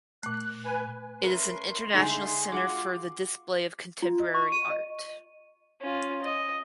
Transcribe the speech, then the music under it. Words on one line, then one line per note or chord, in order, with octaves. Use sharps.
It is an international centre for the display of contemporary art.
A#2 A3 F#6
B4 G#5
A3 C#4 A#4 B4 C6
D3 G#3 A3 D#4 E4 G#4 B4
G#3 F4 F#4 F#5 D6
F4
D#5
C#6
D#7
D#5
C#4 F4
D#5